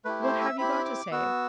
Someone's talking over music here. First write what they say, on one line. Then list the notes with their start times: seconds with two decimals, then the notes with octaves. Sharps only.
What have you got to say?
0.05 A3 E4 G4 B4
0.23 C5
0.41 E5
0.58 C4 E4 G4 B5
0.85 D6
1.11 B3 F#4 E6